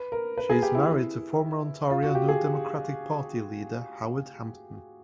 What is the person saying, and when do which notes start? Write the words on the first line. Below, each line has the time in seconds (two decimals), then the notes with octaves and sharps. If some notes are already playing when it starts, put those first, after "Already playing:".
She is married to former Ontario New Democratic Party leader Howard Hampton.
Already playing: B4
0.12 A#4
0.38 B4
0.50 G#4
0.62 G4
0.75 E4
1.90 F4
2.03 F#4
2.15 G4
2.29 G#4